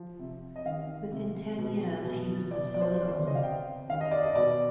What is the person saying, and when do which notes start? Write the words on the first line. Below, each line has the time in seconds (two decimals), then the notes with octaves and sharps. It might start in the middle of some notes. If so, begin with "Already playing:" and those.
Within ten years he was the sole owner.
Already playing: F3
0.19 C3
0.56 D#5
0.66 D#3 F5
1.12 C3
1.58 B2
2.04 B2
2.51 B2 D5
2.74 D5
2.81 C5
2.97 B2
3.08 C5
3.12 D5
3.27 D#5
3.35 F5
3.43 C3 G5
3.89 D#3 F5
4.01 D#5
4.11 D5
4.23 D#5
4.35 B2 D5